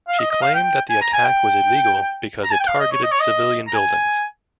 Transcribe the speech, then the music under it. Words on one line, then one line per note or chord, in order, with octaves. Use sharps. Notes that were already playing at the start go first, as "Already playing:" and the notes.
She claimed that the attack was illegal because it targeted civilian buildings.
F5
D#5
D#5
F5
G5
G#5
A#5
G#5
G5
A#5
G#5
G5
F5
D#5
C#5
D#5
C#5
D#5
A#5
G#5